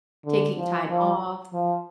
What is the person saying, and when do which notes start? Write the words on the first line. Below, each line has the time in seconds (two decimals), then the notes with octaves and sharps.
taking time off,
0.25 D3
0.57 F3
0.89 F3
1.53 F3